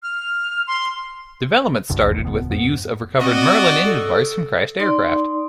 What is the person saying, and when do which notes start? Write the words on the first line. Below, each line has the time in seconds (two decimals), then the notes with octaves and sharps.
Development started with the use of recovered Merlin engine parts from crashed aircraft.
0.03 F6
0.67 C6
1.90 B1 F#2 D3
2.06 D#1 G#1 E2
2.25 D#1 C#2 B2 B3
2.49 F2 G#2 B3
3.20 C4 F#4 D5 D#5
3.85 A4
4.79 D#4 D5 C6